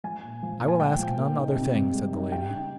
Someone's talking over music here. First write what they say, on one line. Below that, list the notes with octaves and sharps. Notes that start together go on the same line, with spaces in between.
I will ask none other thing, said the lady.
F3 G#5
A#2
F3
A#2
G#5
F3 G5
F3
A#3
D#4
C3
C3
G3
D#4
D#4 G5
C#3